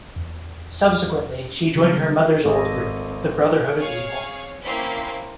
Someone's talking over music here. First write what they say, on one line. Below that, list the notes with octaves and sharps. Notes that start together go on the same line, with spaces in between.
Subsequently, she joined her mother's old group, the Brotherhood of Evil.
E2
C#3 F#3 G3 B3
G#1 A4 D#5
G#4 C#5 F5
A#3 C4 C#4 E4 F5 B6